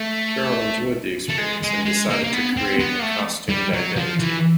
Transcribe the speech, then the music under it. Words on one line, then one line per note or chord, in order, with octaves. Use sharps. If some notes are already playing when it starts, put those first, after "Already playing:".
Carol enjoyed the experience and decided to create a costumed identity.
Already playing: A3
A3
G#3
G#3
G#3
A#3
A#3
B3
C4
B3
A#3
A3
G3
F#3
F3
E3